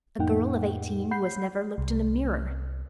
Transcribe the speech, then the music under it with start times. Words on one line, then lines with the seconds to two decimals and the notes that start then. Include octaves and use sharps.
A girl of eighteen who has never looked in a mirror!
0.19 F2 A2 A#3 D#4 F#5 G5
1.11 F#5 B5 G6 C7
1.78 C2